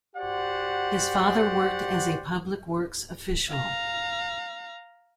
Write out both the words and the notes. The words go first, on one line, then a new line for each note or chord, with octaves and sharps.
His father worked as a public works official.
F#4 G4 C5 D5 F#5
F5 A#5